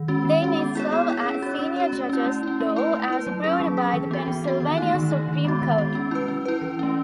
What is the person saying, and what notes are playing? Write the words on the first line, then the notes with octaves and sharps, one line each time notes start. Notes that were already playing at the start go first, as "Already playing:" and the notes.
They may serve as Senior Judges though, as approved by the Pennsylvania Supreme Court.
Already playing: D#3
G#3 C#4 F#4
D#3
G#3 C#4 F#4
B3
E4 G#4 C#5
B3
E4 G#4 C#5
C#4
F#4 C#5
C#4
F#4 C#5
A3
C#4 E4
A3
C#4 E4
A3
E4 B4
A3
E4 B4
F#3
C#4 G#4
F#3
C#4 G#4
E3
B3 F#4
E3
B3 F#4
D#3
A3 D#4
D#3
A3 D#4
D#3
G#3 B3 F#4
D#3
G#3 B3 F#4
C#4
E4 B4
C#4
E4 B4
E3
A3 C#4